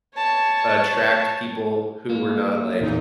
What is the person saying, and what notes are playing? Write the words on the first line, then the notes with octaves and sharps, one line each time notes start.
attract people who were not, like,
C#5 A5
A#3
E2 A#2 D#4